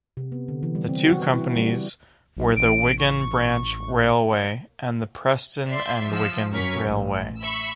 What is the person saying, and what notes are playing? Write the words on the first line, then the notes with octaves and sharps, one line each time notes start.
The two companies were the Wigan Branch Railway and the Preston and Wigan Railway.
C3
B3
D3
E3
G3
C4
F#4
B4
E4
G3
D5
B1
A1 D7
C#6
D5 E5 C6
F3 E6
F#2 C#4 A#4 C#6 B6
A1
E5 B5 C#6 E6